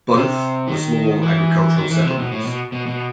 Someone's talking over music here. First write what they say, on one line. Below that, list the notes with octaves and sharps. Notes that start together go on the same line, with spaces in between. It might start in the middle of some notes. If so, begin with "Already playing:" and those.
Both were small agricultural settlements.
C3
D#3
E3
D#3
E3
C3
B2
A2
B2
B2
B2